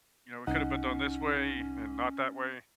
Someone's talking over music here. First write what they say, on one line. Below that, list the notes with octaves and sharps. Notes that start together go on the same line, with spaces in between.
you know, it could have been done this way, and not that way.
C2 C#4 D#4 F#5